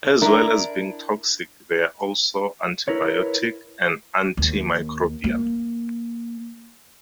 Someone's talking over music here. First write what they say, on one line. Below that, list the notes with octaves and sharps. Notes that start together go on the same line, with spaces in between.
As well as being toxic they are also antibiotic and antimicrobial.
D4 E4 A#4
E4 A#4 B4 C#5
D#2
A#3